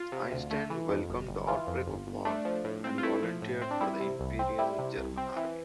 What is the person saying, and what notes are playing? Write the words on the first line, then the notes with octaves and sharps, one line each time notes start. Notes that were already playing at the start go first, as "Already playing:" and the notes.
Einstein welcomed the outbreak of war and volunteered for the Imperial German Army.
Already playing: F4
C3
D2
A3
E3
F2
G1
G1
E3 F4
F2
G1
G1
A3 D4
F3
A2
C4
F4
A3 E4
F3
A2
C4
D4
G3 E4
C3
C2
C4
G3 E4
C3
C2
C4
E3